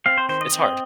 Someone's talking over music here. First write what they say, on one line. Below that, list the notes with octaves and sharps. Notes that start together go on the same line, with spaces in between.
it's hard.
C4 F5
C5
D#3 C5
D#5
C4